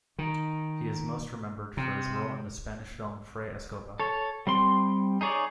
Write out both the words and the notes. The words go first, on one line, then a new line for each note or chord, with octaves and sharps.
He is most remembered for his role in the Spanish film "Fray Escoba".
D#3
C3
A4 C#5
G3 C4 C6
D#4 G#4 C#5 D5